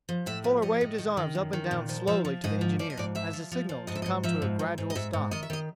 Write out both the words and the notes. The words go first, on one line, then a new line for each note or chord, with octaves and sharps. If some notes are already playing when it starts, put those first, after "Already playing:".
Fuller waved his arms up and down slowly to the engineer as a signal to come to a gradual stop.
F3
A2 E5
F3
A2 D#5
A2
D#3
D#3
F#2
D#3
A#2
F3
F3 E5
F3
G#2 D#5
F3
F3 D5
D#5
G#2 D5
F3 E5
F3
F3
F3
G#2 D#5
E5
D#5
G#2
F3 E5
G#2
G#2
G#2
D#5
G#2 E5
G#2
D#3 D#5
E5
D#3 D#5